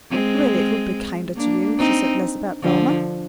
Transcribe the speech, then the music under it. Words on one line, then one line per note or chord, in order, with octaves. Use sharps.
Really it would be kinder to you if she said less about Velma.
G#3 C4
A#3 D4
C4 D#4
D3 F3